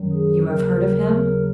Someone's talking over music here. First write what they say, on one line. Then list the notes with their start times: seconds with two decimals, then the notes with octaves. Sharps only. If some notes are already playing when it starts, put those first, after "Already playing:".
You have heard of him?
Already playing: F#2 D#3 F#3
0.12 G#4
0.47 D#2 C#3 F#3 A#4